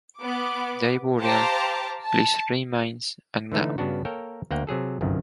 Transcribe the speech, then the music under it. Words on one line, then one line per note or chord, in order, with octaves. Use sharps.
Their burial place remains unknown.
B3 D6
G4 C5 F5 A5 A#5 D6
A5
D3 E3 A3 D#4
G2 C#3 B3 D4 F#4
A#3 A4 A#4 C#5 G5
D2 A#3 F#5 G5
C3 F#3 G#4 A4
G1 C2 F#2 D#3